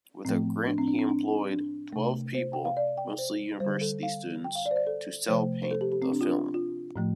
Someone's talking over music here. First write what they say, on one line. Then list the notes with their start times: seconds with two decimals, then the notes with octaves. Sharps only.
With a grant he employed twelve people, mostly university students, to cel-paint the film.
0.25 A2 F3 A3 C4
0.67 D4
0.78 C4
0.88 D4
0.99 C4
1.09 D4
1.51 D4
1.93 C3 A3
2.34 C5
2.53 G5
2.65 F5
2.77 D5
2.97 G5
3.18 C5
3.60 D3 G3 C5
3.81 A4
4.03 F5
4.44 G5
4.55 F5
4.66 D5
4.71 C5
4.76 D5
4.87 A4
5.28 C3 F3 A3 C5
5.63 C5
5.71 A4
5.81 G4
5.92 G4
6.02 C4
6.12 D4
6.21 F4
6.28 D4
6.54 F4
6.96 A2 F3 A3